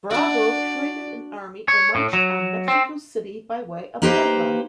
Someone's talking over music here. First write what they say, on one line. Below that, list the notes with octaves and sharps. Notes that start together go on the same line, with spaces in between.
Bravo created an army and marched on Mexico City, by way of Puebla.
D4 F#4 D5
C#5
A2
F#3
C4
A#3 D#4 G4 B4 C5